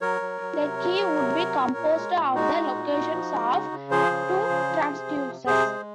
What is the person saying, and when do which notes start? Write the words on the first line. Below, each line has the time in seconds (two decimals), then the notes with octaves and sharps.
The key would be composed of the locations of two transducers.
0.01 F#3 A#4 C#5
0.21 F#3
0.41 F#3
0.60 C3
0.80 F#3
0.99 F#3
1.19 C3
1.38 F#3
1.58 A#2
1.77 A#2
1.96 G#3
2.16 A#2
2.35 G#3 D#4 F#4
2.55 G#3
2.74 A#2
2.93 A#2
3.13 F3
3.32 G#3
3.52 C#3
3.72 C#3
3.91 F3 G#4 C5
4.11 C#3
4.30 F3
4.49 C#3
4.69 F3
4.88 C3
5.08 F3
5.27 C3
5.46 C3 G#4 C5
5.66 G#3